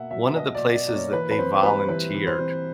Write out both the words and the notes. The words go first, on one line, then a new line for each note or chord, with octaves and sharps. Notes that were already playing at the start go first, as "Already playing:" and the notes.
one of the places that they volunteered
Already playing: B2 A#3 E5 F#5
F#3 E5
B2 D#5
D5
B2
D5
A#3 D5
C#5
E3 B4
B4
C4 C5
G3 B4
E3 B4
E3
C5
C4